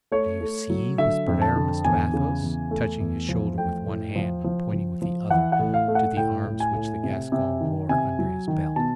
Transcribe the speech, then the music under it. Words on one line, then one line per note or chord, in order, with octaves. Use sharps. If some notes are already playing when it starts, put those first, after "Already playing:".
"Do you see?" whispered Aramis to Athos, touching his shoulder with one hand and pointing with the other to the arms which the Gascon wore under his belt.
A3 C#5
A3
F#3
D3 E5
F2
A5
D3
E2 G#5
C#3
E2
A3
E2
F3
A3 G5
A2
F3
F3
F3
F3
E3 F#5
F#5
A2
F5
A3
F#5
A2 G5
A2
G#5
A2
C3
C3
D#3
C3 G#5
F#3
D#3
B2 A5